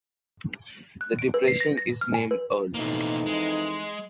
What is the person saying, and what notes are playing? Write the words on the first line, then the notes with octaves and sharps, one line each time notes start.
The depression is named Earl.
F#6
D7
B4
C7
A#6
A#6
F6
G#5
B4
F2 B2 E3 A#3 D#4
G#3